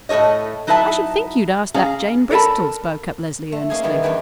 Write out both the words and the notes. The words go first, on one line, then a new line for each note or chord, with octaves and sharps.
"I should think you'd ask that Jane Bristol," spoke up Leslie earnestly.
A2 A3 A4 C#5 D#5
F#3 D#4 E4 B4 E5 A5
C#4 G#4 F5 A#5
A4 A#4 D5 A5 B5
A3
A#3 C#4 D#4 G#4 F5 G#5
D#3 E3 G3 G#3 B3
E2 D4 G4 B4 G5 G#5